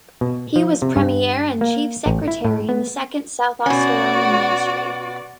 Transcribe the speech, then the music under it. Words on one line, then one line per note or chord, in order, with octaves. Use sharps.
He was Premier and chief secretary in the second South Australian ministry.
B2
F3
C3
G2
A#3
A1
E4
A2
B3
B2 C#4 F#4 D5